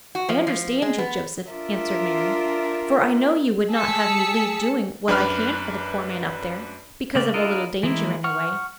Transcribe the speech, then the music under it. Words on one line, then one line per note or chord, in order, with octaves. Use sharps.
"I understand you, Joseph," answered Mary, "for I know you would not have me leave doing what I can for the poor man up there, because of a little danger in the way."
F#4
F3
F3
G#3
B3
D4 F4 A#4 E5
G#4 A5 E6 B6 C#7
F#2 D4 B4 B5 F6
C#3 A3 A#3 D5
D4 E4 F4 A#4 D#5
E3 G#3 A#3 E4
F#5 C#6 F6